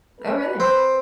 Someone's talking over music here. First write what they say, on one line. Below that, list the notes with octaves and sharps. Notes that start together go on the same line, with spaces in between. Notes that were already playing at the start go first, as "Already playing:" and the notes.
Oh, really?
B4
C4